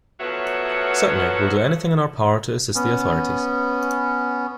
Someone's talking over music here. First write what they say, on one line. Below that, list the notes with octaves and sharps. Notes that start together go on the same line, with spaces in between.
Certainly, we’ll do anything in our power to assist the authorities.
F3 F#3 A3 B3 C#5 E5
B3 C#4